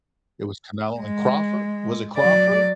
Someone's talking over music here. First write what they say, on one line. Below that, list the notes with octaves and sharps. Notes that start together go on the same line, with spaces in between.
It was Canelo and Crawford? Was it Crawford?
G#3
F#3 D5